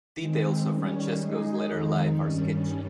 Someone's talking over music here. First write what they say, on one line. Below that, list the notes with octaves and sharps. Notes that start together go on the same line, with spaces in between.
Details of Francesco's later life are sketchy.
D#3 G#3 C4
D#3 G3 C#4
G#3 D#4 G#4
F2 D#3 G#3 D#4
G2 D#3 G3 C#4